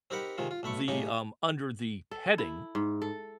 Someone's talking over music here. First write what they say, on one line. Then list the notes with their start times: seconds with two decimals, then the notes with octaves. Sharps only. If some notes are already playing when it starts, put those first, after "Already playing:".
the um, under the heading
0.10 C4 D#4 G4 A#4 F#5 B5
0.38 C3 D#3 G#3 F4
0.51 F4
0.63 B1 A3 B5 C#6
0.88 A2 C#3 D#4 G4
2.11 A4
2.38 E4
2.75 G#2
3.02 A4